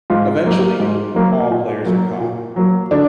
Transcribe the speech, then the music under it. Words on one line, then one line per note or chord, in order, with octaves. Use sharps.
Eventually, all players are caught.
G#2 F4
F#3 A#3
G#2
F#3 A#3
A#2
F#3 A#3
A#2
F#3 A#3
D3 D4